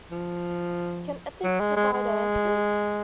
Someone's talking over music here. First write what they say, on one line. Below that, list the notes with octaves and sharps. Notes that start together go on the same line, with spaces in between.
Can Ethics Provide Answers?
F3
F#3
G#3
G#3
G#3